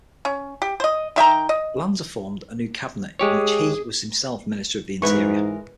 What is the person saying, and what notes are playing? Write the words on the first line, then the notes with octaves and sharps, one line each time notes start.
Lanza formed a new cabinet in which he was himself minister of the interior.
C#4
G4
C5 D#5
D#3 E5 G5 A#5
D#5
G#3 G4 G#4 C#5
G#2 E3 G#3 A#4 B4 C#6